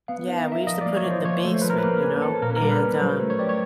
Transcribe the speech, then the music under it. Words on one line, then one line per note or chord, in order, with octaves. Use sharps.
Yeah, we used to put it in the basement, you know, and, um,
B3 F5
D#4
F5
A#4 E5
F3 D#5
D5
A#3
C#5
F3 C5
F3 C#5
A3
C5
F3 B4
A#4
B4
A#3
C#4
A4
A#2 A#4
B4
A#4
G3
B4
C#4
F#3 C5
A3
C#5
G4 D5
C#5